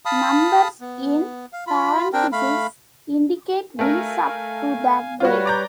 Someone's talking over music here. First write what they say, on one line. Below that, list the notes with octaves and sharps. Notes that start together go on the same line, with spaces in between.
Numbers in parentheses indicate wins up to that date.
F5 A5 B5 D#6
B3
F5
F4 B5
C4 D4 A#4 G5
A3 F5 B5
A3 A4 A#4 F5 G#5
G3 F4 F#4 B4 C#5
D5 A#5 G6